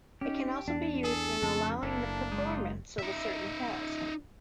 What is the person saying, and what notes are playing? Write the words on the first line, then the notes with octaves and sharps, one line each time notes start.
It can also be used in allowing the performance of a certain task.
C#4 D#4 G4
E2 D4
G#4 A4
F2 C#3 A3 A5
F#1 A#3 D4 E4 A4
G#3 D#4 F4
D#4 E5